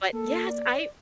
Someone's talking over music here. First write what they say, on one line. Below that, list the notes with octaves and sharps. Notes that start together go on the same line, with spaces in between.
But yes, I
A#3 A4
D5